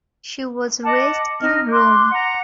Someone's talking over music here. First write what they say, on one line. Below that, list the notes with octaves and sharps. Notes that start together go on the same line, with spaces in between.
She was raised in Rome.
D#5 F#5 A5 D6
D#4 D#5 F6
C6 D6 F#6
F#5 A#5